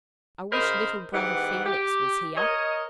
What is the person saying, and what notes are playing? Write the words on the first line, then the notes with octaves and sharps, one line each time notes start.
I wish little brother Felix was here!'
C#3 A#4 C5 D#5 B5
G#2 E3 B3 G4 F#5
G4
A#4 C#5 D#5